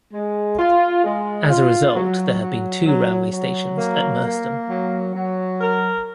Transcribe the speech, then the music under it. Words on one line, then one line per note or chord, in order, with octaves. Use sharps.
As a result, there have been two railway stations at Merstham.
G#3
F4
G#3
F4
F#3
F#3
F#3
F#3
A#3
A#3
F#3
F#3
A#4